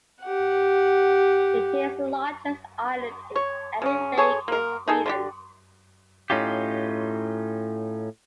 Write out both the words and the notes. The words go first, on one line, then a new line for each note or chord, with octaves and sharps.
It is the largest island in any lake in Sweden.
G4 F#5
C#5
C#3 C#4
G#4 A4 C#5
A#3 A#4
D#4 G#4 A4
D3 D4 G4
A2 C#4 D#4 F4 G4